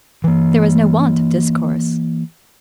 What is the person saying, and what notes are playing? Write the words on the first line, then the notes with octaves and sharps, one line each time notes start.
There was no want of discourse.
E3 A#3